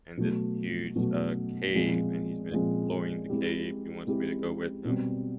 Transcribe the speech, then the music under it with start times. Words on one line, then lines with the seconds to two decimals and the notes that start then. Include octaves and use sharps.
and this huge, uh, cave, and he's been exploring the cave, he wants me to go with him
0.17 B2 F#3 A3
0.95 B2 F#3 A3
1.74 A#2 F3 G#3 C4
2.51 A#2 F3 G#3 C4
3.29 G#3 C4 E4 G4
4.07 G#3 C4 E4 G4
4.85 B2 G3 C4